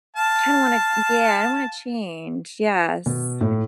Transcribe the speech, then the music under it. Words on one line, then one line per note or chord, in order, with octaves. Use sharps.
kinda wanna Yeah, I don't wanna change, yes.
F5 A5
B2
A2